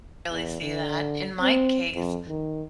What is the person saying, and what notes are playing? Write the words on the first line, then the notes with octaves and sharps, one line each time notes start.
Really see that. In my case,
E2
D3
C4
F2
D#3